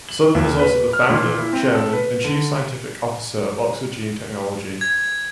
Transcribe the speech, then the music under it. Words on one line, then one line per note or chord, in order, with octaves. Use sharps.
Southern is also the Founder, Chairman and chief scientific officer of Oxford Gene Technology.
F#7
D#2
B4
F6
A#2
E4
C4
A4
B4
D3
G#6